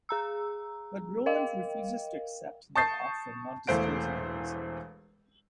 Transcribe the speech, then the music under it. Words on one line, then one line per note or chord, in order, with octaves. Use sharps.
But Roland refuses to accept that offer not disclosing the reason.
G#4 A#5 E6
A#4 D#5 F5 G5
A5 C#6 D#6 G6 A6 C7
E1 E2 A3 C5 F5 D7